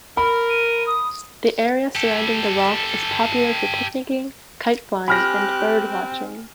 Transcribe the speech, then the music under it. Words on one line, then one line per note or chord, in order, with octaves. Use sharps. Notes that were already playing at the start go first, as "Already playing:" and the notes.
The area surrounding the rock is popular for picnicking, kite-flying, and bird-watching.
A#4 B5
D#7
D#6
G4 A4
C4 G4 G#5 B5 F6 F#6 A#6